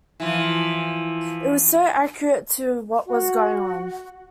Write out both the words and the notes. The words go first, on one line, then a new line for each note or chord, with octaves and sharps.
It was so accurate to what was going on.
E3 F3
F#4